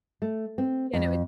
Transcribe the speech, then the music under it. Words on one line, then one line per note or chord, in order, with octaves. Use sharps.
yeah, no, it
A3
C4
F2